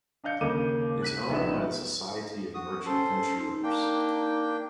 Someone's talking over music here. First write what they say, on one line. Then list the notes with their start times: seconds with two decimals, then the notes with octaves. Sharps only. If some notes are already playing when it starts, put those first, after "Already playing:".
It is owned by the Society of Merchant Venturers.
0.24 D4 D#5 F5 G6 C#7
0.41 D#2 C#3 A#3 D6 D#7
1.02 F#6 B6 D#7
1.29 A#1 B3 D#4 B4 D5 E5
2.54 F#4 D#6
2.86 C#4 A4 C5
3.34 D#4
3.63 A#3 D4 G5